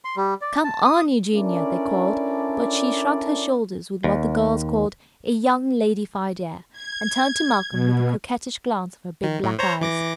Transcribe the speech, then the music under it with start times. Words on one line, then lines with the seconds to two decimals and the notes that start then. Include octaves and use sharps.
"Come on, Eugenia," they called, but she shrugged her shoulders with what the girls called a "young ladified air," and turned to Malcolm with a coquettish glance of her big black eyes.
0.05 C6
0.17 G3
0.41 D5
0.64 A5
0.85 D#6
1.34 C#4 D4 E4 A4 A#4 D5
4.04 D#2
6.72 G#6
7.71 B2
9.23 D#3
9.43 A2
9.59 C5 C#5 A#5
9.81 E3 D6 A#6